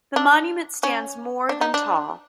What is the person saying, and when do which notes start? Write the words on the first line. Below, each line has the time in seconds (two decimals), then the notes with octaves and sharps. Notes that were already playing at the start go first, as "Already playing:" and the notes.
The monument stands more than tall.
0.16 D4
0.83 C#4
1.49 D4
1.61 D#4
1.74 D4